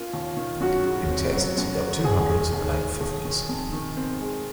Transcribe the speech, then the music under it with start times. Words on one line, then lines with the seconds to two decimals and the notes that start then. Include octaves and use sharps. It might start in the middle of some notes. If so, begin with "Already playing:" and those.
In Tests he got two hundreds and eight fifties.
Already playing: A#3 C#4 F4
0.14 D#2
0.37 D#3
0.60 F#2 F#4
0.84 C#3
1.09 C4
1.33 F#3
1.57 F#2
1.81 C#3
2.04 D#2 G#4
2.29 D#3
2.53 D#2
2.77 G#3
3.01 D#2
3.25 D#3
3.49 F2
3.73 D#3
3.97 C4
4.21 G#3